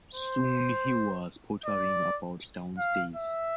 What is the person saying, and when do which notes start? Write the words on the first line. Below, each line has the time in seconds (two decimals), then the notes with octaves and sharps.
Soon he was pottering about downstairs.
0.15 C5
1.65 D5
2.78 F5
3.16 E5